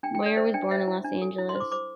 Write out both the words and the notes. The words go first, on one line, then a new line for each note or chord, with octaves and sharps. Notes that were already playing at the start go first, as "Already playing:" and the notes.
Moyer was born in Los Angeles.
D4 G5
G5
A4
D5
C5 E5
D4 G5
C5 E5
E4
D4
A4
E4
C6
C5
D6
C5 D6